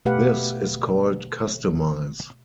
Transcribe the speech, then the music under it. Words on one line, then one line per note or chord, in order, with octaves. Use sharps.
This is called customize.
B2 A3 G4 B4 F5 F#5